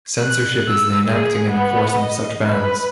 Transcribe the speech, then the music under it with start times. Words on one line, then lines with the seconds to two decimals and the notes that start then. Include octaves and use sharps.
Censorship is the enacting and enforcing of such bans.
0.21 F#6
0.70 E6
1.06 G#4
1.51 B3
2.00 D#5
2.47 B4